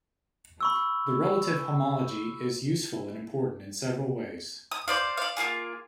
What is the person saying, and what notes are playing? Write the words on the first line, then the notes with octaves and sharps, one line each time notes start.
The relative homology is useful and important in several ways.
B5 C#6 E6
E4
D#6
C5 D5 F5
D5 F5
A#3 B3 F4 G#4